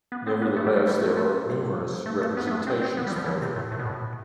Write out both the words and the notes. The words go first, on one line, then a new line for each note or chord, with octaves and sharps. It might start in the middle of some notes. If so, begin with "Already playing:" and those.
Nevertheless, there are numeorous representations for them.
B3
C4
B3
A3
G3
A3
G3
A3
A3
A3
A3
B3
B3
A3
C4
C4
B3
G3
F3
E3
C3
A2
A2
B2
A2